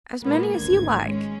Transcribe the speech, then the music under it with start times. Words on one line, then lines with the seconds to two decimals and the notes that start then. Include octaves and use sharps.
"As many as you like."
0.23 A#2 G#3 A#3 B3
0.57 G#1 D2 G#6
1.05 G#3 C#4